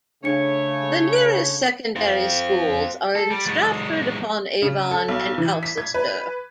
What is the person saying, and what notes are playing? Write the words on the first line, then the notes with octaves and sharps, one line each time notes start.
The nearest secondary schools are in Stratford-upon-Avon and Alcester.
C#3 A3 D4 C#5 C#7
C4 F4
A4
G3
F#3 G#3
C#3
A4
B1
E3
B6
G#6
B4